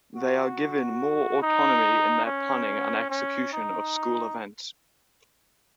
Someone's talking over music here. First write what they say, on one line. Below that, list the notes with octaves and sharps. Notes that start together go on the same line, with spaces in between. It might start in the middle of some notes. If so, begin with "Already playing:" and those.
They are given more autonomy in their planning and execution of school events.
F#4
D#4
C#4
C#4
D#4